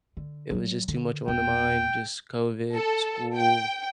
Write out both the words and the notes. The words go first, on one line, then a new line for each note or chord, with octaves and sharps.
it was just too much on the mind, just COVID, school,
D3
C3 F#3
D3
E1 G5
A4
G5